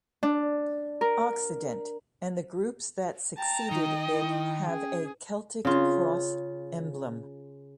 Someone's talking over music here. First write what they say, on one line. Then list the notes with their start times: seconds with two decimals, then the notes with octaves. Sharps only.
"Occident" and the groups that succeeded it have a Celtic cross emblem.
0.23 D4
1.01 A#4
3.38 G5 A5 A#5
3.71 D#3 D#4 D#5
4.11 E4
4.66 C#4 G#4
5.65 C#3 F4